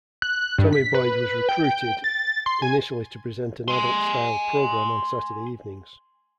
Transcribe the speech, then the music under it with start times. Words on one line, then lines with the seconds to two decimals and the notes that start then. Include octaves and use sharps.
Tommy Boyd was recruited, initially to present an adult-style programme on Saturday evenings.
0.22 F#6
0.58 G2
0.73 B6
0.94 B4
1.49 G5
1.64 G5
2.04 A6
2.46 C6
2.62 G#5
3.68 G#5 C6